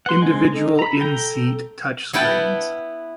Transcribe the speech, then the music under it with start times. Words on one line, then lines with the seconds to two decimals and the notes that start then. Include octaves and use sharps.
Individual in-seat touchscreens.
0.06 B4 F#5 C6
0.22 G#3 C4 D4
0.52 D#4 A4
0.79 A#5 B5
1.01 A4 G5 A#5
2.13 B3 E4 F#5 G5 A5